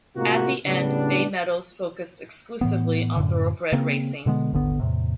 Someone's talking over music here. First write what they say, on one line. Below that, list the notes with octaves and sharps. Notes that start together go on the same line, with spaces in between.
At the end, Bay Meadows focused exclusively on thoroughbred racing.
A2 C3 G#3 A#3 F4 F#4
A2 C#3 G3 B3 D4
A2 E3 B3
F#2 A2 D3
C#3 A#3 C4
B2 D3 G#3 B3
D#1 G#1 D3 B3
E2 A2 C3